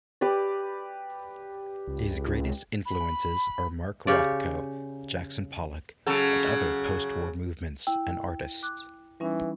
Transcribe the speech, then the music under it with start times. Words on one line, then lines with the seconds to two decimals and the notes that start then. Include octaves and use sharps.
His greatest influences are Mark Rothko, Jackson Pollock, and other post-war movements and artists.
0.21 G4 B4 D5
1.88 C#2
2.86 B5
4.07 C#3 G4 C#5 D5
6.07 C#3 F#3 A4
7.87 E4 G5
8.63 D6 F#6
9.20 E3 G3 C#4 D#4